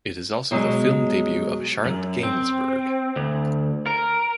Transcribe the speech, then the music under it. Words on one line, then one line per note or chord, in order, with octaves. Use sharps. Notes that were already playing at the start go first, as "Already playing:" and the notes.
It is also the film debut of Charlotte Gainsbourg.
B2 F#3 G#3
F#2
C4
D2
A#4